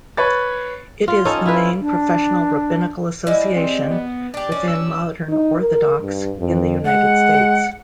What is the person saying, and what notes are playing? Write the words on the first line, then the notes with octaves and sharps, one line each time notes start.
It is the main professional rabbinical association within Modern Orthodox in the United States.
B4 C#5 B5 C#6 A6
F4
C#4 D#4 A4
E4 F4 B4
D4
G3 G#3 E4
C4
B3
D4 G4 D5
G3 C#4 D4
E6
D#4
A#4
G2
F2
G#3 F#5